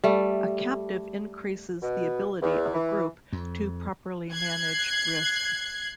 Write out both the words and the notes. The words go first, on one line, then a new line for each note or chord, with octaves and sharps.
A captive increases the ability of a group to properly manage risk.
G3 A3
B2
E2
E3
F2
F#6 G#6 C7